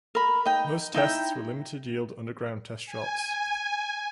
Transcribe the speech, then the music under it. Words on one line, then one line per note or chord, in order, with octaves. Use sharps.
Most tests were limited-yield underground test shots.
A#4 B5
D#4 G5
D#4 E4 G5
G#5